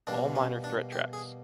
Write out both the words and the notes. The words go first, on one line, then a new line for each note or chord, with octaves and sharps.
All Minor Threat tracks.
B2 G3 A#3 D4
C#4
D4
G4
G#4